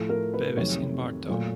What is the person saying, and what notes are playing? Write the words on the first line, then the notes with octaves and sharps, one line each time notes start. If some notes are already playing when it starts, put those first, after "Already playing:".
Bevis in Bartow.
Already playing: A2 F3 A3
A#4
B4
F2 C3 D#3 F#3 A3 C#5
A#2 F#3 A3